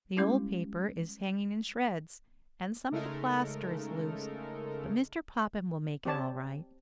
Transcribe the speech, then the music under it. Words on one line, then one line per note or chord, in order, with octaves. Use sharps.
The old paper is hanging in shreds and some of the plaster is loose, but Mr. Popham will make it all right.
G3 G#3 C#4 E4 G4
C#3 G#3 A3 D#4 A4 A#4
C4 G4 C#5 D5 A5